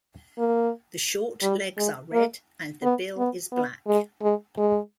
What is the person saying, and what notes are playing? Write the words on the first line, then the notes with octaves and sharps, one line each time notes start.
The short legs are red and the bill is black.
A#3
G3
G#3
A#3
B3
B3
B3
G#3
G#3
G#3